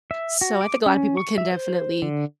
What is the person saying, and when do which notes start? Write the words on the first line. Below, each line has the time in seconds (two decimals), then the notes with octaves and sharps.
So I think a lotta people can definitely
0.11 E5
0.41 F#4
0.61 D6
0.86 C#4
1.17 C#6
1.38 E5
1.52 C5
2.02 D3